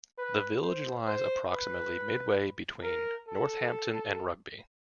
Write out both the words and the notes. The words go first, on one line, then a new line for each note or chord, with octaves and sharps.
The village lies approximately midway between Northampton and Rugby.
B4
C5
C5
B4
A#4
A4